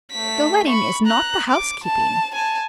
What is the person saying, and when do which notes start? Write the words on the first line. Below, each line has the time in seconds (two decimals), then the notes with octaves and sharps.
The wedding is not the housekeeping.
0.12 A3 B6
0.68 B5 C#6
1.06 A#5 F#6
1.50 D6
1.84 A5
2.35 G#5 A5